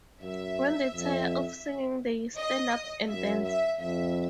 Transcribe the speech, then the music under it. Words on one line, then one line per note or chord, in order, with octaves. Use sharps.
When they tire of singing they stand up and dance.
F#2 E5
F2
D#5
F#2 E5
E5
F2 E5